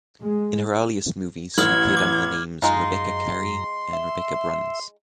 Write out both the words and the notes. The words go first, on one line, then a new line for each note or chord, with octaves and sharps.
In her earliest movies, she appeared under the names "Rebecca Carre" and "Rebecca Bruns".
G#3
A1 F6 G#6 F#7
D6
F#2 G#3 D#4 F4 A#5 C6
E5